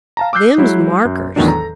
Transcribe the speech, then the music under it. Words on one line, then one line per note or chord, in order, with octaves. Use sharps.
Them's markers.
F5 A5 A#5
D6 E6 F#6 G6 C7
F#3 G#3 E4
F#2
E2 A2 D#3 E3 F#3 D4
A4 A#5